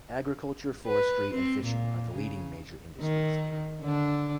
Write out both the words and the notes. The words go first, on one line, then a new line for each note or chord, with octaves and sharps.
Agriculture, forestry and fishing are the leading major industries.
B4
C4
A#2
C#3
D#3
D3 D4